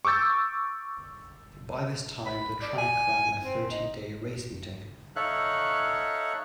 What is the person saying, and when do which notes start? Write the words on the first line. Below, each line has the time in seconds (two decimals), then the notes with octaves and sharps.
By this time the track ran a thirty-day race meeting.
0.05 C#6 D6 E6 G6 A6
2.26 B5
2.62 D5
2.78 G#5
3.43 C4
3.71 D#4
5.16 D#4 A4 C#5 E5 F5 F#6